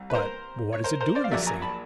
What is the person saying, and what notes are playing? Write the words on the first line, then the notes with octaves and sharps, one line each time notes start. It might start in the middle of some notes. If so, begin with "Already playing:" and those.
But what does it do in the sea?
Already playing: C2
B4
A#4 C5
C#5
A#4 C5
A#4 C5
C5 D5
F5
A#1 A#2 F#3 A#3 D5 E5
G#5 A#5
A5 B5